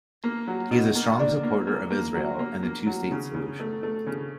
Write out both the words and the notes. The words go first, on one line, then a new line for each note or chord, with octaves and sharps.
He is a strong supporter of Israel and the two-state solution.
A#3
F#3
B2
A#3
D4
A#3
A#3
A#3
F#3
A#3
A#3
F#3
C#3
C#3
A3
A3
C#3